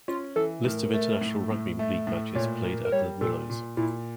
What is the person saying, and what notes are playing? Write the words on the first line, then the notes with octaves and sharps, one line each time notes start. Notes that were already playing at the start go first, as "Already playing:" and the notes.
List of international rugby league matches played at The Willows.
C#4 F4
E3 A4
A2 A#4
A3
A2
A2
A3
A2
A#2 C#5
A#3
A#4
G3 C#5
A#2 A4
A#2
A#2 E4